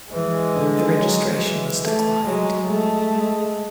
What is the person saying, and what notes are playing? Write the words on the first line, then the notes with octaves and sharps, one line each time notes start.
The registration was declined.
E3 G#3
D3
F#3
E3
A3
F#3 G#3
G#3 A3
G#3